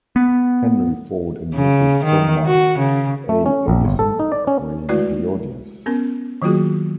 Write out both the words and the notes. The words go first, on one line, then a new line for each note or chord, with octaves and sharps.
Henry Ford and Mrs. Thomas A. Edison were in the audience.
B3
C#3
D#3
F#4
C#3
A3
C#4
A#1
G1
A4
D#4
D5
C#4
G#3 A3 E4 F#4 B4 D5
B3 C#4 A#4
D#3 F#3 A#3 F4 F#4 G#4